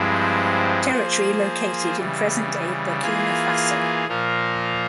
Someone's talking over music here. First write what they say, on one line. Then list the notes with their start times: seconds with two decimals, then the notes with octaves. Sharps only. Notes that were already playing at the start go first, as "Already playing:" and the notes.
Territory located in present-day Burkina Faso.
Already playing: G2 F3 G#3 C4 E4
0.91 F3 A#3 F4 G#4 C5
1.96 C#3 E3 G3
3.01 E3 A#3 F4 G#4
4.07 A#2 F3 A#3 F4 A#4